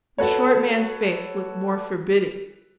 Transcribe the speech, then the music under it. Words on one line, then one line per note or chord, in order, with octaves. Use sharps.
The short man's face looked more forbidding.
F#4 A4 B4 C#5